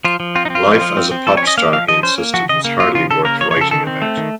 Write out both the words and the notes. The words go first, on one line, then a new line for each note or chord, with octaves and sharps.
Life as a pop star, he insisted, was hardly worth writing about.
F3 F4
F3
C4 F4
D#4
C4
F4
F3
F3
C4
C4
F3 A4
C#5
C#4 D#5
A#3 F5
F3 F5
F3 D#5
C#4 C5
A#3
F3 F#4
C#3 D#5
A#3
F3 F4
C#3 F4
C#3 A4
A#3 A#4
F3 C#5
C#5
C#3 A4
D#3 A4
C4
A3
D#3